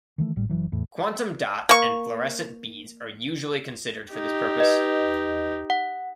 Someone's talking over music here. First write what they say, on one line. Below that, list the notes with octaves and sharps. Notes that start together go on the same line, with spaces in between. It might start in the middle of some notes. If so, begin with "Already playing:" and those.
Quantum dots and fluorescent beads are usually considered for this purpose.
D#3 E3 A3
G#1 A2 G3
F#1 E3 F#3
E2 A2
A#3 C#6
D#4 G4
B4 D#5
F#5